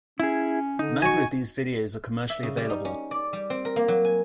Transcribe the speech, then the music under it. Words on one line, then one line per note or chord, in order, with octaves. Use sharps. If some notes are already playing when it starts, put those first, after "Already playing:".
Neither of these videos are commercially available.
C#4 E4 G#4
D3 D#4
F#4 G#5 C#6
E5
C#3
G3
D#4
C#4
D5
G3
C4
A#4
A#3
F#3
G#5